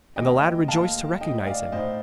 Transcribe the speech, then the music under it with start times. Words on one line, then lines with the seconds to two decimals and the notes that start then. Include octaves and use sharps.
And the lad rejoiced to recognise him.
0.16 D#2 D#3 A3 D#5 G5
0.68 D#2 D#3 A3 F5 A5
1.20 A2 A3 D#4 D#5 G5
1.46 D5 F5
1.72 A2 A3 D#4 C5 D#5